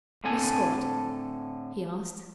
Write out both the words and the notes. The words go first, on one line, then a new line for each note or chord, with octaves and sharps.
"Miss Scott?" he asked.
A2 D3 C4 A4 G#5